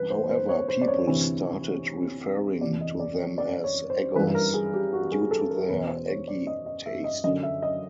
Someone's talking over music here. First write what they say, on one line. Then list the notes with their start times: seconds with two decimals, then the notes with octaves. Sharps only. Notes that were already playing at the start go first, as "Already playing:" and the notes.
However people started referring to them as "eggos" due to their eggy taste.
Already playing: C2 C3 E3 B4
0.10 C5
0.30 C5
0.49 C#5
0.68 C5
0.81 D5
0.88 C#5
1.07 D2 C3 E3
2.61 E2 C3 E3 D5
2.81 D#5
2.99 D5
3.19 C#5
3.38 D5
3.64 C#5
3.90 C5
4.15 E3 B4
4.19 G2
4.35 A#4
4.54 G#4
4.74 G4
4.93 F#4
5.12 G#4
5.31 A4
5.51 A#4
5.70 E2 B2 B4
5.89 C5
6.08 C#5
6.28 D5
6.47 D#5
6.66 D#5
6.86 E5
7.04 D#5
7.24 F#2 D3 D#5
7.43 E5
7.62 D#5